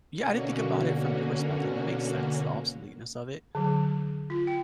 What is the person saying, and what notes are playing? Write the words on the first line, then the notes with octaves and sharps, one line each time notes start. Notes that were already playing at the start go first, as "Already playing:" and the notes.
yeah, I didn't think about it from your perspective, that makes sense, the obsoleteness of it,
B2 D3 A#3 C#4 F#4
D3 F#3
F4
G5